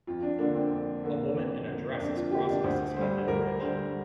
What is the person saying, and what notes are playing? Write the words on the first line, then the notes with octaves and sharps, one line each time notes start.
A woman in a dress is crossing a suspended bridge.
F2 F4
D4
D3 A#3 D4
C4
F2
D3 A#3
F2
D3 A#3
F2 D4
F4
D3 A#3 G4
D4
D2 C5
D3 G3 C5
D2 A#4
D3 G3 C5